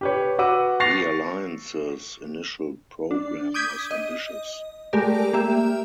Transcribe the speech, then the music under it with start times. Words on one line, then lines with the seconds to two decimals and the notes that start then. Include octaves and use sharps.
The Alliance's initial program was ambitious.
0.01 G4 B4 C#5
0.39 F#4 B4 F#5 D6 E6 D#7
0.80 C#6 A6 A#6 C7 F7
3.11 D4
3.54 D6 D#6 G6 G#6 B6
3.91 D#5
4.93 G#3 A3 G4 A#4 D5
5.33 A#3 G4 E5